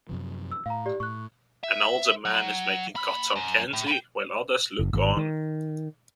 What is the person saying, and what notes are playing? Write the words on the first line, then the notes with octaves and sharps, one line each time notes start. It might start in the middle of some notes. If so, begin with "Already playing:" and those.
An older man is making cotton candy while others look on.
F#2 C3 F3
E6
A2 F5 A#5
G4 D5
A2 C#6 F#6
E5
F#3
A#3 B5
F#2
A2
B4 G5
F#1
G#1
D#3